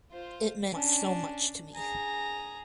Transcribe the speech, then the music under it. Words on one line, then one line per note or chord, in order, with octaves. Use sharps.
It meant so much to me.
F4 C5
C#4 D4
G#4 A#5